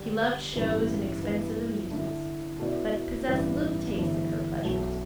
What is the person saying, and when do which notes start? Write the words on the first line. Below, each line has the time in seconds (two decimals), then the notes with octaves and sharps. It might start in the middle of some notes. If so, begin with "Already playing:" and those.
She loved shows and expensive amusements, but possessed little taste in her pleasures.
Already playing: D3 G3 D4 G4
0.53 A1 G2 E3 B3
1.22 G2 E3 B3
1.90 D3 A3 E4
2.59 B2 A3 E4 B4 D5
3.27 A1 G2 E3 B3 D4
3.96 G1 G2 E3 A3
4.64 B1 B2 A3